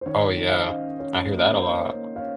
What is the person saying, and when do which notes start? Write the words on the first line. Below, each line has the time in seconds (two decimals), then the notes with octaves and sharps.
Oh, yeah. I hear that a lot.
0.01 C5
0.06 D#3 C#5
0.37 D#3
0.48 F5
0.53 C5 D#5
0.68 C#4
0.99 C#4 C#5
1.30 A#3
1.46 C#5
1.59 A#3 C5
1.71 C#5
1.92 A#3
2.16 C#5 F5